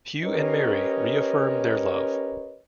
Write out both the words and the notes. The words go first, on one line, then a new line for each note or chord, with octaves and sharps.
Hugh and Mary reaffirm their love.
C#4 G4 A#4 B4 C#5 D#5